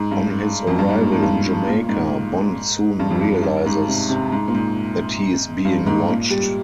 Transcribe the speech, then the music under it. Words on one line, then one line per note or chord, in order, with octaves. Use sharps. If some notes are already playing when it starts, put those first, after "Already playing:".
On his arrival in Jamaica, Bond soon realises that he is being watched.
Already playing: G#2
G2
F2
G2
G#2
A#2
G#2
G2
A#2
G#2
G2
F2
G2
G2
G#2
C3
C3
G#2
A#2
G#2
G2
G#2
A#2
G3